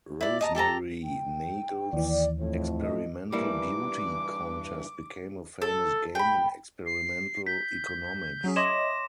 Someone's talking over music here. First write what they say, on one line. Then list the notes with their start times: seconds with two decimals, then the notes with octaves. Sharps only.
Rosemarie Nagel's experimental beauty contest became a famous game in experimental economics.
0.21 E4 D5
0.41 D#5 A5 A#5
0.55 G4 A4 A5 A#5
1.03 G5
1.93 D#2 E3 D5
2.39 F2 A2 A3 C#5
2.81 D#5
3.32 G2 E3 G3 A#3 E4 D6
5.62 A4
6.15 G5 B5
6.86 C7
7.47 G6 B6
8.44 F#3 C#4 G#4
8.56 C#5 D#5 E5 C6 D6 A#6 E7